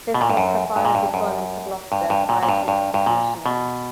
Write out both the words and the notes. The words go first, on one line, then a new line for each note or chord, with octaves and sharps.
This was the final deployment for "Gloucester" prior to its decommissioning.
B2
A#2
G2
F#2
G2
A#2
G2
F#2
G2
G2
A#2
A#2
G2
G2
G2
A#2
B2